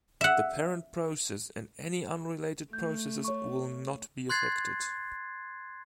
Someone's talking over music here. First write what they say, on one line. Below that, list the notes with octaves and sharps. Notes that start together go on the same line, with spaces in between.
The parent process and any unrelated processes will not be affected.
E5 F#5
A3 G6
C#5 C#6
C6 F#6 G#6 A6 C7